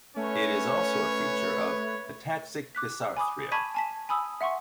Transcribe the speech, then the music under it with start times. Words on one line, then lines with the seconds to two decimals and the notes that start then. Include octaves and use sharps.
It is also a feature of ataxic dysarthria.
0.16 A3 C#4 B4 C#5
2.75 D6 F#6 B6
3.17 G#5 B5 D6 D#6
3.52 A5 B5 C#6 G#6 B6 D#7
3.74 G#5 A5 B6
4.09 G#5 B5 D#6 E6
4.41 E5 F#5 C6 C#6